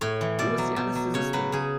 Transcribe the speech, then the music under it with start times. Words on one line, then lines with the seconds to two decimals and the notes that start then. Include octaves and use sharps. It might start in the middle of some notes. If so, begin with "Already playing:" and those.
Wo ist die Anästhesistin?
0.01 A2 C#5
0.21 E3
0.39 B2 D5
0.58 F#3
0.76 B2
0.95 F#3
1.14 C#3 C#5
1.33 F#3 B4
1.52 C#3 G#4